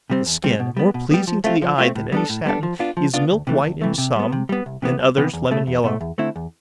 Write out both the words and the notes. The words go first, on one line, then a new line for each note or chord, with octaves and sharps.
The skin, more pleasing to the eye than any satin, is milk-white in some, in others lemon-yellow.
C3 G3 C4
E2
C3 G3 C4
B2
G3 B3
B2
G3 B3
F3
A3 C4 F4
F3
A3 C4 F4
A2
G3 B3 D4 A4
A2
G3 B3 D4 A4
F3
B3 D4 F4
F3
B3 D4 F4
D2
C3 E3 A3
D2
C3 E3 A3
C3
G3 B3
C3
G3 B3
C2
C3 E3 B3
C2
C3 E3 B3
E2
B2 A3
E2
B2 A3
E2
D3 A3 C4 E4
E2